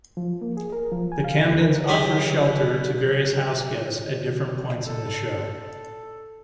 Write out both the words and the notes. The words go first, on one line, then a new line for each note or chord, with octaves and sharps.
The Camdens offer shelter to various house guests at different points in the show.
F3
A#3
G#4
A#4
F3
G#5
F5
D#2
A#4
C#2 F#3 G4 G#5 B5
A4